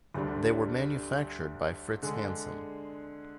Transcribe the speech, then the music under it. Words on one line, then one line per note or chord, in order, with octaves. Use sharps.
They were manufactured by Fritz Hansen.
D2 D3 G3 D4
D3 G#3 D4 G#4